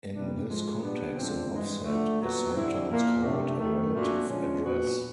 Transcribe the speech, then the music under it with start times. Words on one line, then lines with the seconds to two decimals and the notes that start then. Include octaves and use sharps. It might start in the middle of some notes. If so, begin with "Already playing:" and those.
In this context an offset is sometimes called a relative address.
0.11 C3 E3 G3 A#3 D4
0.47 G#2 F3 G#3
0.80 A#2 G3 B3 D4
1.15 D3 F3 G#3 C4
1.51 G2 E3 G#3
1.84 D3 F3 A3
2.20 A#2 F#3 B3
2.54 D3 G3 C4 E4
2.89 A#2 F3 A#3
3.23 C3 F3 A3 D4
3.58 D#3 F#3 A3
3.93 A#2 F#3 A3 D4 F#4
4.28 D3 F3 G#3 C#4
4.63 A#2 F#3 B3 D4 F#4